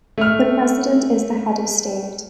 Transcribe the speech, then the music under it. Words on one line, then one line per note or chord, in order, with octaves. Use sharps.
The President is the head of state.
A3 F6